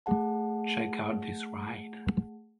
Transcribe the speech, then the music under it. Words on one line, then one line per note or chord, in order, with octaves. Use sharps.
Check Out This Ride!
A3 G#4 F#5 A5